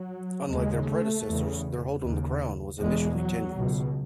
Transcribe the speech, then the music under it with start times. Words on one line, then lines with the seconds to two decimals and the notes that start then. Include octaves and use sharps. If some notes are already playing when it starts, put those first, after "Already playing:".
Unlike their predecessors, their hold on the crown was initially tenuous.
Already playing: F#3
0.52 D#2 C#3 G#3
0.90 A3
1.28 E2 C#3
2.04 D#2 C#3
2.79 E2 B2 G#3
3.17 F#3
3.56 C#2 B2